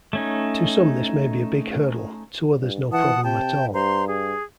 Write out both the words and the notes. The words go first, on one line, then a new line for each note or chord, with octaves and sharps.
To some this may be a big hurdle, to others no problem at all.
A3 C#4 D#4
G2
E3 F#5 A5 D#6
C3 G5 A5
G2 C5 A#5 C6
G#4